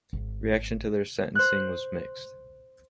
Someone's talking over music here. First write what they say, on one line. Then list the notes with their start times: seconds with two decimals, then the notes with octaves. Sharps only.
Reaction to their sentencing was mixed.
0.13 G#1
1.35 C5 F#6